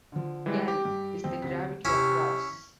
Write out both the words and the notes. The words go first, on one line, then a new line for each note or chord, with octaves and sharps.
"L" is the gravity of loss.
D3 F3
E3 G3 G#3
G4 D6
G2
F2 C4 G5
D2 C3 B6
C3 C#4 E4